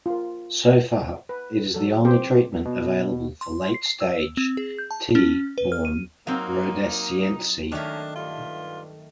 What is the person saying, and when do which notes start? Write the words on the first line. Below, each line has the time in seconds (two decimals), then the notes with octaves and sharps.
So far, it is the only treatment available for late-stage "T. born rhodesiense".
0.06 F4 A#4
1.29 B4
1.74 F#3 A4
2.05 C4 G4 C5
2.65 B2
3.41 C6
3.74 C7
4.00 E6
4.37 C4
4.57 G#4
4.79 G6
4.91 A5
5.15 C#4
5.58 B4
5.72 F6
5.85 D#7
6.27 F#3 A#3 C4 D#4 F5
7.72 D#3 A3 A#3 C#4 D4
8.16 G2 F4